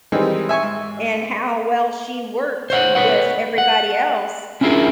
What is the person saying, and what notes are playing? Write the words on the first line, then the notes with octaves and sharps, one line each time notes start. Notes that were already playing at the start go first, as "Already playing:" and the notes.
and how well she worked with everybody else
D#3 E3 G3 G#3 C4 D#4
E5 G#5 C#6
G#2
C5 C#5 F5 F#5
B4 C#5 F#5
F#5
C#4 D4 E4 F4 G#4 A#4